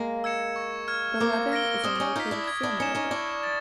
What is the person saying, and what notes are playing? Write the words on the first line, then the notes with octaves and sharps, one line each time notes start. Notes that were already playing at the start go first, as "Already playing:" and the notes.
The Leven is a noted salmon river.
Already playing: G#3 A#3
E6 G#6 C#7 E7
C#6
F6 G#6
A#3 C4 D6
F6 A#6 D7 G7
C4 D4 D#6
D4
C#4 D#4
D#4 F4 G6 B6
D4 E4
G#6
D4 E4
C#4 D#4 C#7 E7
C#4 D#4
D4 E4 C#6
A6